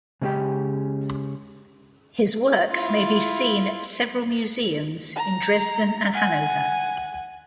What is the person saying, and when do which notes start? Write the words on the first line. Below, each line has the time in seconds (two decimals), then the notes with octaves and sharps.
His works may be seen at several museums in Dresden and Hanover.
0.22 C#3 G#3 C4 C#4 G4 G5
2.70 E4 F4
5.16 A#5
6.15 F#5 G#5